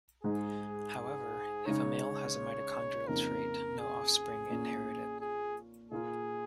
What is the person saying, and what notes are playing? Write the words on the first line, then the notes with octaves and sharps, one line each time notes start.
However, if a male has a mitochondrial trait, no offspring inherit it.
G#2 G#3 D#4 G#4
C#3 G#3 D#4 C#5
F2 C#3 A#3 D#4 A#4
G#4
A#2 A#3 C#4
G#4
A#2 A#3 F4 G#4